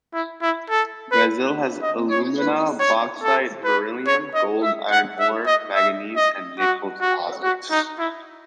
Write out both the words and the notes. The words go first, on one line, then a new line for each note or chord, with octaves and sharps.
Brazil has alumina, bauxite, beryllium, gold, iron ore, manganese, and nickel deposits.
E4
E4
A4
B4
D#5
C#5
B4
C#5
A4
B4
C#5
D#5
E5
F#5
E5
D#5
E5
D#5
F#4
F#4
F#4
D#4
E4